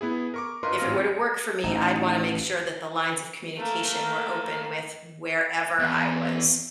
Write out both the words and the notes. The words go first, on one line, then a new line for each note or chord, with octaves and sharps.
if it were to work for me, I'd wanna make sure that the lines of communication were open with wherever I was
B3 E4 G#4
A#4 C#6 D6
G2 F4 A#4 B4 D#5 C6
A1 G#2 C4 F4 F6 A#6
A1 D#4
A3 A#3 A#4
E2